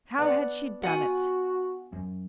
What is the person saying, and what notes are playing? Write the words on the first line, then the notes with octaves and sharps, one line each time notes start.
How had she done it?
B3 D4 F#5
F4 F#4 F#5 G#5
F#2